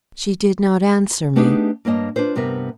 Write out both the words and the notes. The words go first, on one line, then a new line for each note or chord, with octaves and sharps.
She did not answer me.
A3 B3 D4 D#4 G4 G#4
G2 A#3 C#5 D#5 A5
D4 F4 B4 C5
G2 C3 B3 A#4 E5